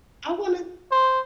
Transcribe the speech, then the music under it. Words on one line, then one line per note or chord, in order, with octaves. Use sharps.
I wanna
C5